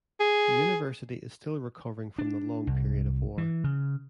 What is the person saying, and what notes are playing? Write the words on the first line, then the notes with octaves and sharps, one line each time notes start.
The university is still recovering from the long period of war.
G#4
D4
C2
E3
C#3